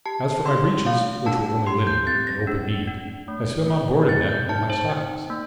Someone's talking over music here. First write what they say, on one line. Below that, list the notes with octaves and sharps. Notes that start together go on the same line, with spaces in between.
As for my breeches, which were only linen, and open-kneed, I swam on board in them and my stockings.
G4 A5
D4 C6
A3 F5
D4 A5
G4 C6
G6
C4 A6
A#6
D4
D4
A3
A3
C4 A6
G6
D#4 A5
C5
D#4
A#3